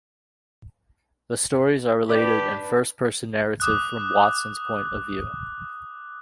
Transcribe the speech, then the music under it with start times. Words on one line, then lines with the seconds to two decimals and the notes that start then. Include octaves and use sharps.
The stories are related in first-person narrative from Watson's point of view.
2.09 D4 G4 B4 D5
3.60 D6 D#6 F#6